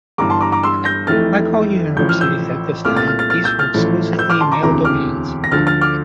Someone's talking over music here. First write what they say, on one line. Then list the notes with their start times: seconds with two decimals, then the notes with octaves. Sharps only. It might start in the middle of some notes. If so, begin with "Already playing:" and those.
Like all universities at this time, these were exclusively male domains.
0.18 G1 G2 E3 A#5 D6
0.30 A5 C6
0.41 A#5 D6
0.52 A#5 D6
0.63 C6 E6
0.85 G6 A#6
1.07 F1 F2 E3 A3 F6 A6
1.97 A1 A2 F3 G6
2.09 F6
2.21 E6 G6
2.85 C2 A#2 A3 D6 F6
2.96 F6 A6
3.07 F6 A6
3.19 F6 A6
3.30 F6 A6
3.44 E6 G6
3.59 F6 A6
3.74 A1 A2 F3 A3
4.19 E6 G6
4.30 D6 F6
4.40 A5 C6
4.52 A#5 D6
4.63 E1 D2 C3 E3 A#5 D6
4.84 D6 F6
5.44 A#6
5.51 D2 D3 F3 F6 A6
5.67 F6 A6
5.81 D6 F6